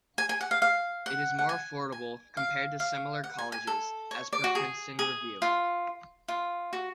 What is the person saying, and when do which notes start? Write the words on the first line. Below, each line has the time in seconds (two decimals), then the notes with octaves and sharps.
It is more affordable, compared to similar colleges, as per Princeton Review.
0.18 G#5
0.29 G#5
0.41 F#5
0.51 F5
0.62 F5
1.06 F#5
1.39 F#5
1.49 G#5
1.92 G#5
2.37 F5
2.80 F5
3.24 F#5
3.39 G#5
3.52 G#5
3.67 A4
4.11 C#5
4.33 D5
4.44 F#4
4.55 G#4
4.99 G#4
5.42 F4
6.28 F4
6.73 F#4